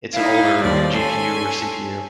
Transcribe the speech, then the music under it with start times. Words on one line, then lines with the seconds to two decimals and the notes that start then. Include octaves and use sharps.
it's an older GPU or CPU.
0.13 D#4 E4 F5
0.63 D#2 F3 G3 D5
0.94 C#4 A4 G#5 C6